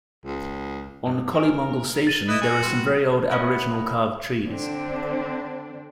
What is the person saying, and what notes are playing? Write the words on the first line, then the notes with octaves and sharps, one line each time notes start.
On Collymongle Station there are some very old aboriginal carved trees.
C#2
C2 G2
A#4 G#5 D7
A6 D#7
E4 B4 D#5
A#3 F#4 G#5
A#2 G3 C6
B3 C#4 E4 A#4
D3 C4 D4